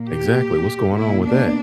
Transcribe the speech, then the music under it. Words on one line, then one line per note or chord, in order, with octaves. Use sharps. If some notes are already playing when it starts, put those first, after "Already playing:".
Exactly, what's going on with that?
Already playing: A#2 A#3
G4
B2 A#3 E4
D4